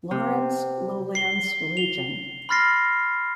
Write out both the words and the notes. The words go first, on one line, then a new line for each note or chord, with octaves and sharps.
Lawrence lowlands region.
C3
C7 G7
F7 G7
B5 C6 F6 A6 A#6 C7